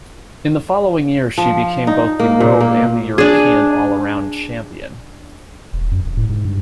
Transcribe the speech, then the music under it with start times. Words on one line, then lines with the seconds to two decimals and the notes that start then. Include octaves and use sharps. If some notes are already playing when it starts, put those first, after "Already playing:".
In the following year she became both the World and the European All-Around champion.
1.38 F3
1.87 D#4
2.20 A#3
2.40 A#2
2.60 A#3
3.18 D4 G#4
5.73 E1
5.91 F#2
6.05 E1
6.17 A2
6.29 G#2
6.45 G2